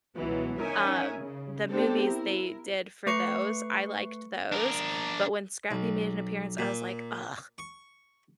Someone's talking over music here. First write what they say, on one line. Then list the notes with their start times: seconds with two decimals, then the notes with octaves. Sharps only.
Um, the movies they did for those, I liked those, but when Scrappy made an appearance I was like, "Ugh."
0.18 C#2 B2 E3 F#3 B3
0.60 C#4 D#4 A#4 E5 G#5
1.19 C#3
1.71 B3 C4 D4 G4 A4 C5
2.04 E4 A#4
3.07 A3 B4 C#6 C7 C#7
4.52 D4 A#4
5.71 B1
6.58 A#2
7.58 C#6